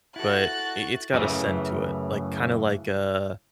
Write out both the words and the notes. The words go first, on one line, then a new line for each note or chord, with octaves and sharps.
but i it's got a scent to it, like, kinda like a
E4 F#4 A4 F#6 A6
F#2 A2 C#3 E3